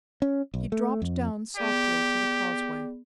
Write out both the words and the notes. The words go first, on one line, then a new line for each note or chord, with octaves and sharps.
He dropped down softly to the causeway.
C#4
B1
A3
F2
B3 G4 G#4 D5